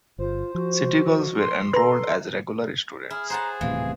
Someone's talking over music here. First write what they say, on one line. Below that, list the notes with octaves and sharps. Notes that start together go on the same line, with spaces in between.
City girls were enrolled as regular students.
G1 F4 C5
F3 F#4
C6
A4 B4 A#5
E4 G#4 F6
C5 F#5 A5 A#5
D#1 A2 C3 E3 F5